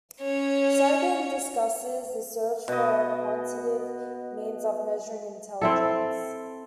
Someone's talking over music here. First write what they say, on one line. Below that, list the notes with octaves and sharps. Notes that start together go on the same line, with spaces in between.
Sagan discusses the search for a quantitative means of measuring intelligence.
C#4 C#5
B2 D#5
C4 E4 A4